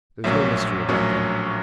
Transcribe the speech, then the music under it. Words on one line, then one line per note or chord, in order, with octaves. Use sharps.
There is no mystery about that.
A#1 A2 F#3 A#3 C#4 E5
A#1 A2 F#3 A#3 C#4